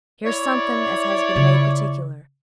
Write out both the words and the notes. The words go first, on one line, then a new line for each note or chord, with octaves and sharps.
Here's somethin' as has been made particular.
E4 C#5 D5
C#3 F4